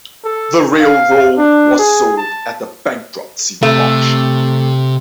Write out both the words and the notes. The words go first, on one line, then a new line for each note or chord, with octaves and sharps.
The railroad was sold at a bankruptcy auction.
A4
F5
D4
G#4
A5
C3 A3